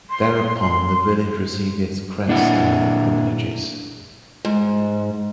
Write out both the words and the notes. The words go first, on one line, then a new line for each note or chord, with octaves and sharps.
Thereupon the village received its crest and other privileges.
C6
A#2 D4 E4 F#5
G#2